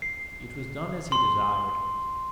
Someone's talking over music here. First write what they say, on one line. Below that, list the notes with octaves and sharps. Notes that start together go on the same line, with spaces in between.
It was done as he desired.
C7
C6